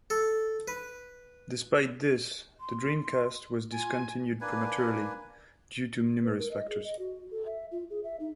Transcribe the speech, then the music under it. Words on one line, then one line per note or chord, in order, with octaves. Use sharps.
Despite this, the Dreamcast was discontinued prematurely due to numerous factors.
A4
B4
C6
F4 G#5
A#3 D4 B4 G#5
B4
A#4
D#5
G#4
D#5
F#4
A4
E5
F4
G#4
E5
D#4